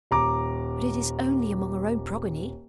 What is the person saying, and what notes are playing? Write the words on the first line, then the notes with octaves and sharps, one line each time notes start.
'But it is only among our own progeny.'
D#1 A#5 D6